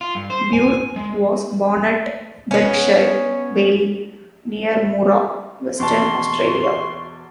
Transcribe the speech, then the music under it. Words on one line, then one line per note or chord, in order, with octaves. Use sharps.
Burke was born at Berkshire Valley, near Moora, Western Australia.
F4
G2
C5
G#5
G#3
B3 C#4
E2 B2 A5 C6 C#6